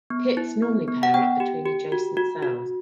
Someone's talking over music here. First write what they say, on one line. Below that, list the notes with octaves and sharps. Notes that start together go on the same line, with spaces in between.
Pits normally pair up between adjacent cells.
B3
E4
B3
B3
F#5
B3 G5
G4
G4
F#4
F#4
F#4